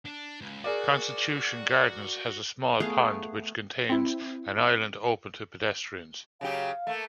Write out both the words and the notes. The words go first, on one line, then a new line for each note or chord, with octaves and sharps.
Constitution Gardens has a small pond, which contains an island open to pedestrians.
D4
C#2
F#4 G#4 A#4 D5
A3 B3 G#4 F5
C4 E4
C#3 F#3 G4 F5
A3 A#3